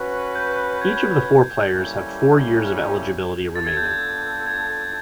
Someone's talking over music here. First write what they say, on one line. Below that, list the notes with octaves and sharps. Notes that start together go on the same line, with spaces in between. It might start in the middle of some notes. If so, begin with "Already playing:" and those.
Each of the four players have four years of eligibility remaining.
Already playing: C#4 F#4 B4
G6
G#6
G3 A#3 C#4 E4 A4
B3 D4 F4 A4 A6
G#6
G6
G#6
G#6